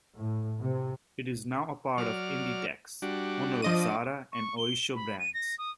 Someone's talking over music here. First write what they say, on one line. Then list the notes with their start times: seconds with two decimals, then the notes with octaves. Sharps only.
It is now a part of Inditex, owner of Zara and Oysho brands.
0.15 A2
0.60 C3
1.98 F#3 D5 F6
3.02 G3 D4 F#4
3.62 F3 D4 D#5 D#7
4.32 C#6
4.58 G7
4.95 B5
5.19 D#7
5.34 A#6
5.58 D#6